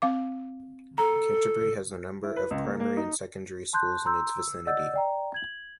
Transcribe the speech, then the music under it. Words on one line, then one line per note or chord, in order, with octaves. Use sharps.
Canterbury has a number of primary and secondary schools in its vicinity.
C4 F5 D6
A4 A#5
E4
B4
C#2
A#3
A#3
D#4
A5 C6 F#6 G6
A#5 C6 E6 G6
E6
D5 D#5 F#5 E6 G6 A6
D5 G5 A#5
G#6 F#7